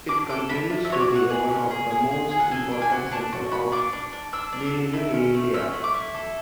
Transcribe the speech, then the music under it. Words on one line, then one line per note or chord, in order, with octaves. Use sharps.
It continues to be one of the most important centers of Jainism in India.
D4 D6
A4 D6
D4 B5
D4 E5
E5
F#4 C#5
D5
F#4 F#5
G#4
C#4
G#4
G#4
G#4
G#4
F#5
A4 G#5
D4
G#5
F#4
D4 A5
F#4
F#4 B5
D4 D6
D4
D4
D4 E6
D4
A4
E4
C#4
A3
C#4 E6
A3
D6
E4
A4